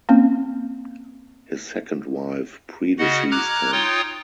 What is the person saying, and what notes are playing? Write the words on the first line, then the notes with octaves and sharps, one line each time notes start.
His second wife predeceased him.
A#3 C4 C#4
C#3 F#4 D#5 F#5
A#5 D6 F6 F#6 G#6
D#4 F4 C#5 G5 C6 D#6